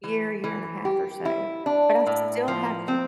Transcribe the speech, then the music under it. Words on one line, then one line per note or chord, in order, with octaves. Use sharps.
year, year and a half or so, but I still have to
E3
E3
G4
E4
D4
A2
F3
C4